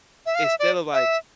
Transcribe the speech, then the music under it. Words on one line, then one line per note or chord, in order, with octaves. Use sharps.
instead of, like,
E5
F5
E5
D5
E5